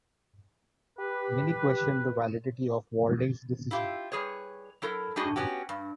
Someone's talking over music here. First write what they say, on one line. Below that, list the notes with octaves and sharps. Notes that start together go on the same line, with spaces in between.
Many questioned the validity of Walding's decision.
G4 B4
E4 F4 G4
G3 G#4 B4 C#5
F#3 E4 A4 A#4
G3 A3 D4 D#4 F#4 G#4
B3 C#4 F#4 G4
G2